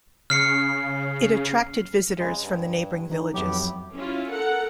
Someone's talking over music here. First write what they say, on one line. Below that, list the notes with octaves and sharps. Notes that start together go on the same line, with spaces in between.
It attracted visitors from the neighboring villages.
C#3 F6 C7 C#7
C#3 G#3
G2
E3 D#4
F2 A2 F#3 B3 G4
C#4 E4 F4
A4 A#4 F#5